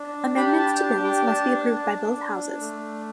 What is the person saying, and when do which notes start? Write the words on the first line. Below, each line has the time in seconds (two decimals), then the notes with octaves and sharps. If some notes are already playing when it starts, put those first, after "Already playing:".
Amendments to bills must be approved by both houses.
Already playing: D4
0.37 G4 B5
0.59 A5
0.81 D4 A5
1.04 G5
1.26 D4 A5
1.71 D4
2.16 D4
2.61 A3